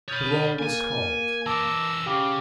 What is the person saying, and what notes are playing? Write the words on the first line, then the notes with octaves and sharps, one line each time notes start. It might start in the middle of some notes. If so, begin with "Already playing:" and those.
The roll was called.
C#5 B5 D#6 F6 G6 A6
A#3 G#5
E3 A#4 A5 D6 E6
C#3 G4 F5 G5 D6